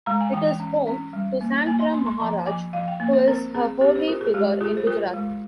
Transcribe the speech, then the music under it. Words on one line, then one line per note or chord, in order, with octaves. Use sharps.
It is home to Santram Maharaj who is a holy figure in Gujarat.
G#3 A#5
G#5
E3 G5
G5
C#4
C#4
G3
A#3
A#3 G#5
C6
A#3 C6
C6
F3 A#5
F3 G#5
F3 F5
G5
A#3 G#5
C5
C4 A#4
C4 G#4
C4 G4
C5
F4 A#4
G#4
G#3 G4
F4 G#4
C5
F4 A#4
G#3